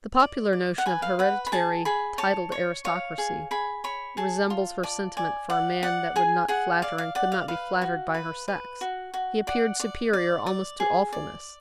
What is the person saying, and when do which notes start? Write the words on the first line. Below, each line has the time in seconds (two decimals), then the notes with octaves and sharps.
The popular notion of hereditary titled aristocracy resembles her sentiment for a man that would not flatter and could not be flattered by her sex: he appeared superior almost to awfulness.
0.20 D5
0.53 D5
0.78 F#5
0.86 B4 G#5
1.02 F5
1.19 B4 F#5
1.46 B5
1.52 G#4 A5
1.85 G#4 B5
2.18 C#5 A5
2.52 C#5
2.85 C#5 F5
3.18 G#4
3.51 G#4 B5
3.84 C#5 B5
4.17 G#4 A5
4.50 F4
4.83 D5 A5
5.17 D5 G#5
5.50 D5 F#5
5.83 D5 F#5
6.16 G#4 G#5
6.48 G#4 F#5
6.82 D5 F5
6.98 F5
7.15 D5 F#5
7.32 F5
7.48 B4 F5
7.82 F#4
8.14 B4
8.48 B4
8.81 F#4
9.14 F#4
9.47 D5 F#5
9.80 D5
10.13 D5
10.46 D5
10.80 G#4
11.13 D5